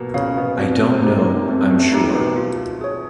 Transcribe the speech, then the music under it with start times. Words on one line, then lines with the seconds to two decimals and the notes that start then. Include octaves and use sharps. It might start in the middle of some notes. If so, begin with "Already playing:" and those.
I don't know, I'm sure.
Already playing: B2 A#3 B3
0.14 C#3 C#4 G#4 C#5 F5
0.37 B2 B3
0.58 B2 B3 C4
0.88 C3 C4
1.03 D#4 G4
1.18 A#3
1.47 A3 C4
1.70 A3
1.92 A#3 D#4 G4
2.14 B2 B3
2.36 F4
2.81 G#4 C#5